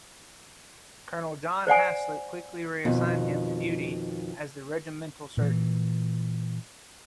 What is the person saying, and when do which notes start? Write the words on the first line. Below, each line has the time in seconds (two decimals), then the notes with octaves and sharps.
Colonel John Haslet quickly reassigned him to duty as the regimental surgeon.
1.67 C5 D5 F#5 G#5
2.85 F2 B2 D#3
5.37 A#2 E3